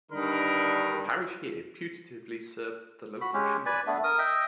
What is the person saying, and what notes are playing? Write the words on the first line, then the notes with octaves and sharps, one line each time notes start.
The parish here putatively served the local shoemakers.
G2 D3 D#3 D#4 A#4 B5
F#4 B5
G#3 C#4 G4
B4 D5 G#5
A3 B3 D4
A#4 D#6
D#5 E5 G5